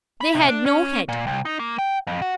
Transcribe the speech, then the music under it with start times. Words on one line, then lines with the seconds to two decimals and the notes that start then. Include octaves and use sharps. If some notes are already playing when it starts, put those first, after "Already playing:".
They had no head.
0.21 B5
0.35 C3
0.49 D4
0.66 C#4
1.09 A#2
1.27 C2
1.45 D#4
1.59 A#3
1.78 G5
2.07 F2
2.22 F#4